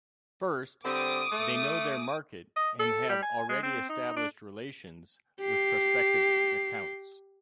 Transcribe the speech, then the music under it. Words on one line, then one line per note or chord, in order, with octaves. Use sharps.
First, they know their market and have already established relations with prospective accounts.
D3 G3 C4 D6 D#6
A3
D#5
A4
G3
G#5
G#3
C4
D#4
D4
G4 C7